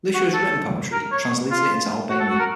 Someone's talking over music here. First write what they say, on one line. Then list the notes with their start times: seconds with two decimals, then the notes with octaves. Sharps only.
Lusha has written poetry and translated it into Albanian.
0.14 F#4
0.34 A4
0.92 A#4
1.12 C#5
1.51 F4
2.10 F#4
2.20 A4
2.30 F#4
2.39 A#4